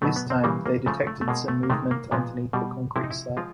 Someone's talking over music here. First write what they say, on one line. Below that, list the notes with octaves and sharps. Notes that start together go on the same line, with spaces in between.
This time, they detected some movement underneath the concrete slab.
B2 F#3 A3 B3
B3
C4
C#3 E3 G3 A#3
A#3
C#3 F3 A3
A3
A3
B2 G#3 A#3
A3
A#3
C3 D#3 G#3 A3
A#3
A#2 F3 G#3 B3
B2 G3
C3 F3 G#3 E4
D#4
E4
F3 G#3 F4